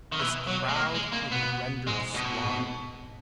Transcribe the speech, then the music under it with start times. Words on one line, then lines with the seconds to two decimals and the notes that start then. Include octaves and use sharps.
This crowd may be rendered sublime.
0.12 D#3
0.19 B2 E3
0.47 F#3
0.68 G#3
0.75 A#3
0.94 G#3
1.12 A#3
1.32 B2 B3
1.87 G#2 G#3
2.15 B2
2.43 G#2